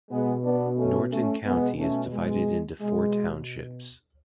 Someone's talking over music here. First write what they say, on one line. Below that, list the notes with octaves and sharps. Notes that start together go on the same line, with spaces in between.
Norton County is divided into four townships.
B2 G#3 B3
B3 D4
A3 C#4
A3 C#4
B2 G#3 B3
A3 C#4
G#3
B2 G#3